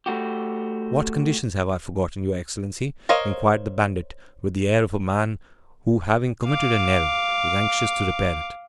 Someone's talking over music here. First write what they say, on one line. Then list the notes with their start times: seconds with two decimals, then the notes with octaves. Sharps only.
"What conditions have I forgotten, your excellency?" inquired the bandit, with the air of a man who, having committed an error, is anxious to repair it.
0.06 A3 F#4 G4
3.09 A#4 C5 C#5 D#5 F5
6.46 F5 D6